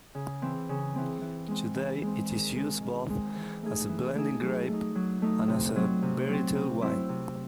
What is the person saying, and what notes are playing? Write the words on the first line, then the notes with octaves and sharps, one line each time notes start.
Today it is used both as a blending grape and as a varietal wine.
C#3
E3 C4
C#3
E3 C4
E3
G#3 C4
E3
G#3 C4
D#3
G#3 C4
D#3
G#3 C4
E3
A3 D#4 G#4
E3
A3 D#4 G#4
F#3
A3 D#4
F#3
A3 D#4
C3
F#3 C4
C3
F#3 C4
C3
F#3 C4 E4 C5
C3